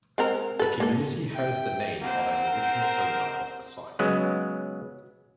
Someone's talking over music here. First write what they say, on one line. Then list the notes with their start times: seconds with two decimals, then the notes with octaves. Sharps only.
The community has the name of an original owner of the site.
0.18 G#3 C4 A#4
0.59 A4 B4
0.80 A#3 A4
1.35 E5 G5
2.01 A#3 C4 C5 F#5
2.47 A#4
3.99 C#3 F#3 G#3 B3